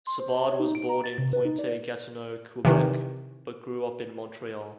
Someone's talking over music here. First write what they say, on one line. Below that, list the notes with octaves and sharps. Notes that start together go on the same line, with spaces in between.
Savard was born in Pointe Gatineau, Quebec, but grew up in Montreal.
C6
C5
A5
C#5
D#4
D7
A#5
A6
C3
B4
D#4
D5
C3 D#3 E3